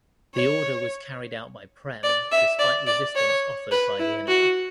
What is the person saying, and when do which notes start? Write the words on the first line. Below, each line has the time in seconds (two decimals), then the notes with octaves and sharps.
The order was carried out by Prem despite resistance offered by the enemy.
0.34 C#5
2.04 D5
2.32 E5
2.59 D5
2.87 D5
3.15 C#5
3.71 B4
3.99 E4
4.28 F#4